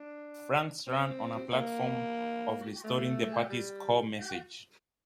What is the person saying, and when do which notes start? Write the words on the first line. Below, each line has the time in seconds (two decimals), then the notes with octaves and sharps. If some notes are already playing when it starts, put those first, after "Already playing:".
Franks ran on a platform of restoring the party's core message.
Already playing: D4
0.87 C4
1.52 A#3
2.84 A3
3.50 G3